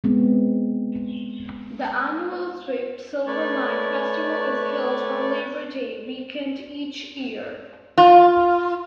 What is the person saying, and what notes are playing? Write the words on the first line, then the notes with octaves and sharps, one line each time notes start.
The annual Swift Silver Mine Festival is held on Labor Day weekend each year.
G#3 B3 C4
A3 B4 C#5 D5
F4